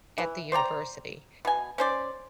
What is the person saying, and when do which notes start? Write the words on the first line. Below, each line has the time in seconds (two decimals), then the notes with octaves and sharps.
at the university,
0.18 E3
0.52 C5 D5 G5 A#5
1.45 B2 G#5
1.78 C#4 C5 D5